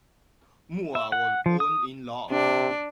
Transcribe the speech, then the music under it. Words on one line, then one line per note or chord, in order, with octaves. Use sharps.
Moua was born in Laos.
E5
F#5
F3
D#6
C3 D4